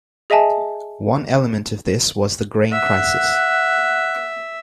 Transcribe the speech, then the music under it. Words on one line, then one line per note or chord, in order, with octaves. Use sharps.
One element of this was the grain crisis.
G#4 D#5 E5 G#5 A5
E5 F#5